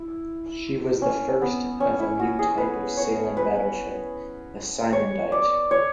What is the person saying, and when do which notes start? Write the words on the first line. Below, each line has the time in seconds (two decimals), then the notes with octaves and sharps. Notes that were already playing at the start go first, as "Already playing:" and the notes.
She was the first of a new type of sailing battleship: a Symondite.
Already playing: E4
1.02 C#4
1.42 B3
1.80 C#4
2.00 E4
2.20 F#4
2.39 G#4
2.58 B4
2.97 C#5
3.37 B4
4.93 C#5
5.32 D5
5.71 C#5